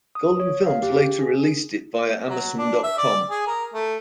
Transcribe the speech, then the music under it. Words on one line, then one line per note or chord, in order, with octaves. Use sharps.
Golden Films later released it via Amazon dot com.
D#6
C#5
F5
G4
G#4
F#3
D4
E5
D5
G#4
A#4
A3